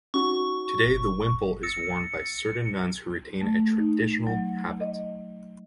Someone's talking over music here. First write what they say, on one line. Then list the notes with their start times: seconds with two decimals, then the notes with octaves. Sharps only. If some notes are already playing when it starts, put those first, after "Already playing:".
Today the wimple is worn by certain nuns who retain a traditional habit.
0.14 C#4 D#4 F#4 C#6
0.86 G1
1.63 E6 A6 A#6 C#7
3.41 A3
3.77 D#4
4.27 F#3
4.81 D#5